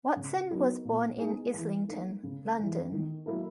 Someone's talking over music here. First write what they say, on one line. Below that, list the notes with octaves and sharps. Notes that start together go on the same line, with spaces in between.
Watson was born in Islington, London.
C#3
F#3 B3 D#4 A#4
A#2
G#3 B3 D#4 G#4
E3
A#3 D#4 A#4
C#3
E3 G#3
D#3
F#3 A#3 E4 A#4